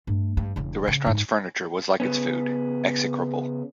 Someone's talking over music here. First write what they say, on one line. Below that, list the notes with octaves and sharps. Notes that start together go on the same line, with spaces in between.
The restaurant’s furniture was like its food – execrable.
G2 A3
G2
E1 C#3
C#3
G#2
C#3 B3 C#4